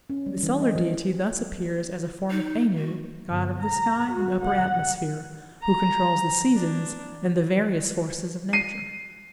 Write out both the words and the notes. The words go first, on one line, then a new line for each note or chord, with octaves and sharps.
The solar deity thus appears as a form of Anu, god of the sky and upper atmosphere, who controls the seasons and the various forces of nature.
C#4
G3
E3
D#5
F3
D#4
F#4
G1
A#5
F#4
F#5
A#5
D4
C7 D#7